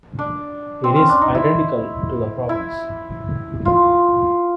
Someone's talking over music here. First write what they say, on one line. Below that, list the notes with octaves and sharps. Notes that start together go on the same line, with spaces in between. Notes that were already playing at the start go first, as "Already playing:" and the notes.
It is identical to the province.
D4
C4
C#4
D4
D#4
E4
E4
F4